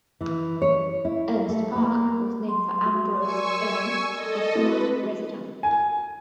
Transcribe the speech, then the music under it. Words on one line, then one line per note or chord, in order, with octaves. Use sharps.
Ernst Park was named for Ambrose Ernst, a Fremont resident.
E3
C#5
E4
A3
A#3
F#3 C6
F#4 E5
A#4 D5 G#5 C#6 E6
A4 D#5
C4 D4 E4 F#4 B4
G#5